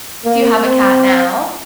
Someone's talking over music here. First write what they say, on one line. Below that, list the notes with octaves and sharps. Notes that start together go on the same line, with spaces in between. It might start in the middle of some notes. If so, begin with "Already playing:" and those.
do you have a cat now?
A#3
C4